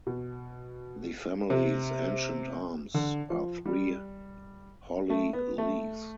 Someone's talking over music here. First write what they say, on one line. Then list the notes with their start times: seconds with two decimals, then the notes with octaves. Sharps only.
The family's ancient arms are three holly leaves.
0.07 B2
1.50 C3
2.94 D3
3.30 F3
3.66 G3
5.10 A3
5.33 B3
5.58 A3